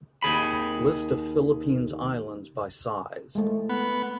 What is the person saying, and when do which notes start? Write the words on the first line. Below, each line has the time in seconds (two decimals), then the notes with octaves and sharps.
List of Philippines islands by size.
0.22 D#2 G#4 B5
3.35 G#3 A3
3.69 B3